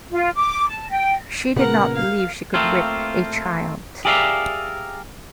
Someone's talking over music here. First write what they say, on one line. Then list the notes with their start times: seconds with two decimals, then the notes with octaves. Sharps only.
She did not believe she could whip a child.
0.11 F4
0.36 D6
0.68 A5
0.90 G5
1.56 A#2 C#3 B3 A#4 F#5
1.95 F5
2.54 A3 A#3 C4 F4
4.05 G4 G#4 A#4 D5 E5 F5